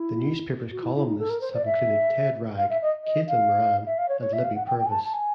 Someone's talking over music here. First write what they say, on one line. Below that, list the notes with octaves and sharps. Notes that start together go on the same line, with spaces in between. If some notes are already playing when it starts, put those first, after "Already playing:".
The newspaper's columnists have included Ted Wragg, Caitlin Moran and Libby Purves.
Already playing: E4
F#4
E4
E4
D#4
A4
A#4
C5
D5
E5
F5
E5
D#5
D#5
F5
E5
F5
C#5
C#5
E5
F5
F#5
G5
G5
G#5
A5
A5
G#5